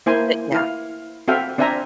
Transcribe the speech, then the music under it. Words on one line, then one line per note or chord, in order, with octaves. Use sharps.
but yeah.
A#3 E4 C5 G#5
E4 F5
C4 F#4 A4 E5 F5 G5
C4 D4 C5 E5 G#5 A#5